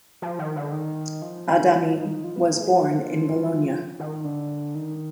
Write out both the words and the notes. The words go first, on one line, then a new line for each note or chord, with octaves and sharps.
Adami was born in Bologna.
F3
D#3
D3
D#3
F3
D#3
F3
D#3
F3
B3
A#3
G#3
F3
D#3
D3
D#3